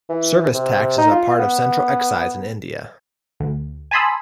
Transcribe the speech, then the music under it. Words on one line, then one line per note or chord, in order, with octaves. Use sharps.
Service tax is a part of Central Excise in India.
E3
C3
D#4
F4
B3
D2
G#5 A5 B5 C6 D#6 E6